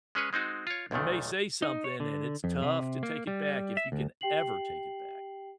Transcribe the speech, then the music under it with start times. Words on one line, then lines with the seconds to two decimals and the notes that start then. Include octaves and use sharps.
you may say something, and it's tough to take it back if you can ever take it back.
0.15 G#3 C#4 G#4 B4 C#5
0.33 G#3 C4 D#4 F#4
0.67 F4 C#5
0.91 B1 E2 A#2 D#3 A3
1.62 D#4
1.84 C#5
2.00 D3
2.44 F2
2.62 C3
3.03 A#3
3.27 G3
3.77 E5
3.92 D2
4.21 G4 G5 C7 F#7